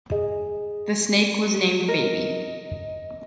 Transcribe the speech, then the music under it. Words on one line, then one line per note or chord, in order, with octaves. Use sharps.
The snake was named Baby.
G#4 D#5
A#4 D#5